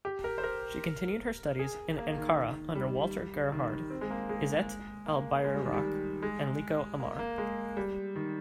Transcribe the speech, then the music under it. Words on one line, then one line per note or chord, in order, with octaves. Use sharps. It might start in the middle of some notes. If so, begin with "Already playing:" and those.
She continued her studies in Ankara under Walter Gerhard, Izzet Albayrak and Lico Amar.
G4
A#4
C5
A#4
G#4
A#3
D#3
G3
D#3
C4
G#3
A#3
G#3
A#3
G#3
G3
D#3
G3
G#3
A#3
A#3
G#3
G3
D#3